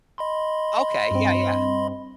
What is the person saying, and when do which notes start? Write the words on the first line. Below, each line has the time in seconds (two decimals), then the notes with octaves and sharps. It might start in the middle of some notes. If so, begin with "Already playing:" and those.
Okay, yeah, yeah.
0.18 D#5 B5 C6
1.11 G2 C4